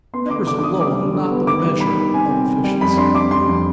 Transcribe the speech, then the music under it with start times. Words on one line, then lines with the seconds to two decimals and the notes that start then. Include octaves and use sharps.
Numbers alone are not the measure of efficiency.
0.13 B3 C6
0.30 D3 D6
0.47 D4 D6
0.59 D6
0.63 D4 D#6
0.80 G3 D6
0.97 G3
1.15 D3
1.31 B3
1.47 D#3 D6
1.64 G3
1.80 D#3 B5
1.98 D#3
2.14 C4 G#5
2.31 C4
2.48 C4
2.64 G3
2.81 F2 B5
2.97 D4 C6
3.15 G3 D6
3.31 F2 C6
3.47 F2